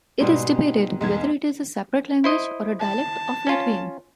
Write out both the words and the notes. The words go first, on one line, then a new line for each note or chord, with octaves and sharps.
It is debated whether it is a separate language or a dialect of Latvian.
G#2 B2 G3 G#3 C4
B1 E2 G#3 G#6
E4 C5 D#5
A5
C#4 F4